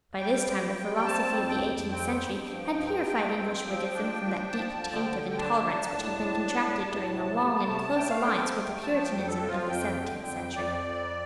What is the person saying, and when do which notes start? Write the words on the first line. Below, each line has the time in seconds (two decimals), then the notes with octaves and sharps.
By this time the philosophy of the eighteenth century had purifed English Whiggism from that deep taint of intolerance which had been contracted during a long and close alliance with the Puritanism of the seventeenth century.
0.19 G3 G5
0.48 G3
0.77 G3
0.96 G5
1.06 C4 A5
1.35 F2
1.49 G5
1.64 F2
1.92 C4 G5
2.21 G2
2.50 F3
2.78 G2
3.07 G2
3.37 C4
3.65 F3
3.93 D4
4.23 F3
4.51 F3 A5
4.80 D3
4.95 G5
5.09 D3
5.31 G5
5.38 D4 A5
5.67 D4
5.95 A2
6.23 D4
6.52 A2
6.82 A2
7.10 C3
7.40 A3
7.68 C3
7.96 A3 G5
8.10 F5
8.22 C4 G5
8.54 A3
8.83 F3 A5
9.04 G5
9.12 F2
9.27 A4
9.41 F3
9.47 F4
9.69 F2 G5
9.98 D3
10.27 F2
10.56 F2 D5
10.84 F2